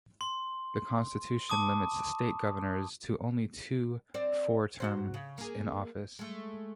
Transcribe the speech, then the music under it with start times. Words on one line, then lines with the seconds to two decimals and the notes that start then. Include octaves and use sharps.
The constitution limits state governors to only two four-year terms in office.
0.21 C6
1.50 A5 D6 D#6
4.14 C4 C5 D5
4.80 G#2 F#4 C5
5.14 C#3
5.38 A#3 G#4
6.19 G#3 A3